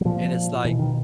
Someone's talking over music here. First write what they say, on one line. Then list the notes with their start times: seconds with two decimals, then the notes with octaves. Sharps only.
And it's like,
0.01 F#3
0.05 A#2 F3
0.64 B2 E3
0.79 D#3